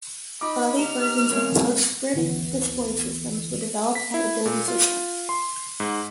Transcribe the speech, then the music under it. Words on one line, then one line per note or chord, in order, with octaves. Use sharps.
Early versions of PostScript display systems were developed at Adobe Systems.
D#4 B5 D6
G4 A#5 F6
G#3 B3 C4 A#4 C#5
G#1 D2 E3 B3
B6
E4
A#2
F4
C6
G#2